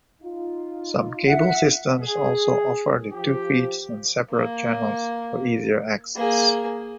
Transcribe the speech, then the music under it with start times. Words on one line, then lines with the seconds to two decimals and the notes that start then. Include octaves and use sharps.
Some cable systems also offer the two feeds on separate channels for easier access.
0.22 D#4 F4
1.27 E5 F#5
2.02 G#4
3.12 F3 G4
4.32 A#3
6.16 A#3 G#4